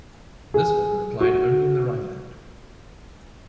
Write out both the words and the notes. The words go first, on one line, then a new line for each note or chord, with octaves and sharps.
This order applied only in the Rhineland.
G#4
F#4